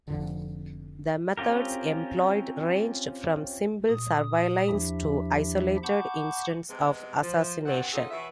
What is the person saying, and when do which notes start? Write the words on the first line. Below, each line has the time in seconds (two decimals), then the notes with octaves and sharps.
The methods employed ranged from simple surveillance to isolated incidents of assassination.
0.08 F1 F2 D3
1.37 C4 C#4 F4 G4 A#4
3.88 A#2 D#6
4.68 E2 F3 D4 E4 G4 E5
5.83 F#5 A5 B5 C#6 D6 G6
6.69 C3 G#3 B3
7.22 F3
7.66 G2 C4 F#5
7.93 C#4 D#4 F4 F#4 G#4 A4
8.11 B2 E3 C#5 E5